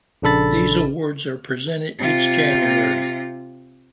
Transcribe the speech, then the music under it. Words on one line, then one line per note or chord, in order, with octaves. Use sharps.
These awards are presented each January.
A#1 C#3 D4 A4 B5 A6
C3 F4